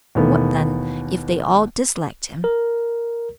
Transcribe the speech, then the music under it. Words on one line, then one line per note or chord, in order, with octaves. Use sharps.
"What, then, if they all disliked him?"
D#2 B2 E3 A3 B3
A#4